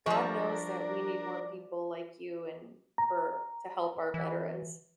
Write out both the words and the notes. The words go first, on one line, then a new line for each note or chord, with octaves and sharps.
God knows that we need more people like you, and for to help our veterans.
F3 G3 D4 A#4 D5 C#6
A#5
E3